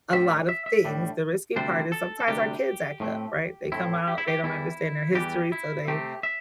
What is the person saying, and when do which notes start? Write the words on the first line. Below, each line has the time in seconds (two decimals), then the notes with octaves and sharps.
a lot of things, the risky part is, sometimes our kids act up, right? They come out, they don't understand our history, so they
0.13 A2 G3 D4 E5
0.49 E5
0.66 E5
0.85 A2 G3 D4
1.56 D2 C3 G3 D4 C5
1.92 A4
2.20 A4
2.28 D2 C3 G3 D4 G4
3.00 A2 A3 C4
3.72 A2 A3 C4 E4
4.08 G4
4.18 E4
4.28 G4
4.44 E2 E3 G3 E4
5.15 E2 E3 G3 G4
5.52 E4
5.88 C3 A3 C4 G4
6.23 E5